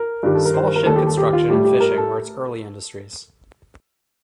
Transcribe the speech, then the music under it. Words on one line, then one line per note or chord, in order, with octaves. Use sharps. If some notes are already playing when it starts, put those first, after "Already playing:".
Small ship construction and fishing were its early industries.
Already playing: A#4
G2 D#3 G3 G4
A4
A#4
C5
A#4
A#4
D#2 D#3 G3 A4
G4
A4
G4
F4
A2 G3 G4
G4
A#4
A4